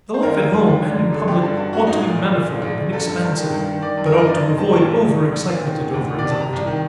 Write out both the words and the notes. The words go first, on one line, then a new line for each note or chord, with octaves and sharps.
The life at home and in public ought to be manifold and expansive but ought to avoid over-excitement and over-anxiety.
C5
D#2 A#4
D#2
D#2
D#2
D3
D3
A1 A4
D3 G4
G2 A4
G2 F#4
G2 F#4
A1 D#4
A#2
A#1
A#2
A#1
A#1
A#1
G1 A4
G2
G1
D#3
G2
D#3
D#3 D5
F#2
A#4
G1
D#5
F#2 D5
F#2 D#5
D#3 A5
A#2 A5
A#1
A#1
A#1
A#1
A#2
D#3
D2
D2
D#3
C3 D5
A5
C3 A#5
C2
D#3